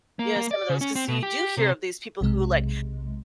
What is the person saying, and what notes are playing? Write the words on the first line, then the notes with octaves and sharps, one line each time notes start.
you know, some of those, 'cause you do hear of these people who like
A#3
A#3
D5
C#3
C#4
C4
B2
G4
C3
B1 C3 G#3